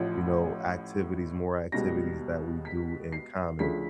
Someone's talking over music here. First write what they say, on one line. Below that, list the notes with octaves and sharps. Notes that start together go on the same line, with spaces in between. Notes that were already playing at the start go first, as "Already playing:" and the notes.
you know, activities more activities that we do in common,
Already playing: A1 A2 F3
C#2 B2 G3 A#6
B6
C7
D2 C#3 F3 A3 B6